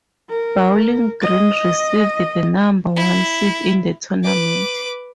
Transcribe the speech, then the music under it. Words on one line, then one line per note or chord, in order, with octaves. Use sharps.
Bowling Green received the number one seed in the tournament.
A#4
D#5
E4
B4 D6